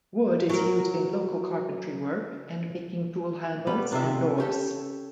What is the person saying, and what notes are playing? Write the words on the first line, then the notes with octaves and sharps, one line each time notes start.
Wood is used in local carpentry work and making tool handles and doors.
F#3 A#4
F#2 G3 B3 B5
G#2 C3 D4 F4 E5
C#4 G4 A4